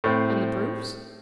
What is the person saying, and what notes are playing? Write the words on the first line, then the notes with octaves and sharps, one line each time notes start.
"And the proofs?"
A2 C4